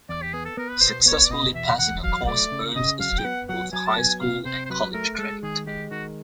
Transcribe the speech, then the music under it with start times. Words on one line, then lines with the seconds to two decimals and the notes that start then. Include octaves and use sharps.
Successfully passing a course earns a student both high school and college credit.
0.09 E2 D5
0.22 G4
0.34 B3 G#4
0.45 A4
0.57 B3 A#4
0.70 B4
0.81 B2 C5
1.06 B3 C#5
1.25 D5
1.30 B2 D#5
1.54 E2 E5
1.78 E2 F#5
2.04 F#3 F5
2.27 A3 D5
2.52 C#3
2.76 C#3 D#5
3.00 F#3 F5
3.18 G5
3.25 B3 F#5
3.49 F#3 F#5
3.73 F#3 G#5
3.87 A5
3.97 B3 G#5
4.21 C3 F5
4.45 C3 C5
4.66 C5
4.70 F#3 B4
4.94 A3 A#4
5.18 G#3 A4
5.43 D#3 G#4
5.67 G#3 G4
5.91 D#3 F#4